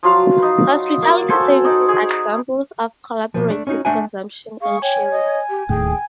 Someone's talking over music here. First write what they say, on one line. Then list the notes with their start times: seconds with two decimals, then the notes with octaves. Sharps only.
Hospitality services are examples of collaborative consumption and sharing.
0.03 F3 F#3 F4 F5
0.39 D#4 B4
1.02 A#3 D5
1.29 F#4 A4 C5 G#5
1.65 D#4 D5
1.88 G#4
3.34 B2 F3
3.50 A3 D4 D5
3.67 C#4 D#4 F#4
3.85 A3 D4 E5 F#5 G#5
4.62 G#4 F5 C#6
4.82 C#5 G5 G#5
5.11 D#5
5.49 G4
5.69 D1 D#2 A2 G#4 G5